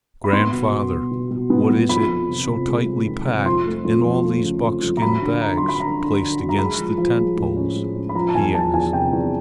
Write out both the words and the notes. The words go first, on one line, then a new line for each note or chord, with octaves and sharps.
"Grandfather, what is it so tightly packed in all these buckskin bags placed against the tent poles?" he asked.
B5
B3 C6
B2
B2
B2
B2
B2
B3
B3
F2 B5
F2
C3
C3
G#3
G#3
D#3
C3
F2 C6
A3
F2
F3
A3
C#3
F3
F2
A#5
F#3 B5
D3
D3 A#5
F#3 C6
B5
D3 A#5
D3
D3
F#3
A#5
G#3 B5
F3
F3
G#3
A2
C#4
G#3
C#4
B5
F3 A#5
A5
E2 G#5
F3 A5
E2 G#5
C3 G5
E2